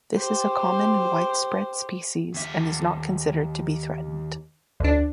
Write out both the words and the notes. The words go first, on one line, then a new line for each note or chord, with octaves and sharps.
This is a common and widespread species, and is not considered to be threatened.
G4 C5
D#2 E5
D2 D4